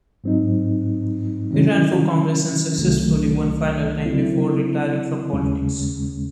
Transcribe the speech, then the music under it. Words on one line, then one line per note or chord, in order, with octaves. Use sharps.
He ran for Congress unsuccessfully one final time before retiring from politics.
G#2 F#3 C4 D#4
C3 D#3 F#3 C#4 E4
C2 C3 D#3 F#3 A3
C#3 F#3 C4 E4
D#2 C#3 G#3 C#4